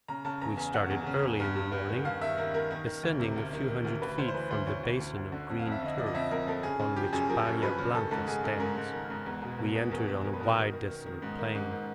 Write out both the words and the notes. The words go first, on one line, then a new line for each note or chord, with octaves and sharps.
We started early in the morning; ascending a few hundred feet from the basin of green turf on which Bahia Blanca stands, we entered on a wide desolate plain.
C#3 A#5
C#3 A5
E2 A#5
E2 G#5
E2 F#5
E2
C#3
E2
G2
G2
G2
D#3
G2 F5
D#3 E5
D#3 A#4
D#3 A#4
D#3
D#3
D2
C3
D2
D#3
D#3
D2
D2 B4
D2 C5
C5
E3 B4
D2 C5
D2 C#5
D2
D2
D2
D3
F2
F5
F2
E5
D3 D#5
F3 D5
D#5
F2 E5
F2 A#4
F2 A4
C#3 G#4
C#3
F3 G4
F#2 G#4
F3 A#4
F#2
F#2 B4
C#3
D#3 A4
G#2 A4
G#2 G#4
G#2 A4
G#2 A#4
G#2
D#3
G#2
E2
B2
B2
B2
E2 A#4
E2
E2 A#4
B4
B2 A#4
D#3
D#3
D#3
D#3
G#2
D#3
G#2
D#3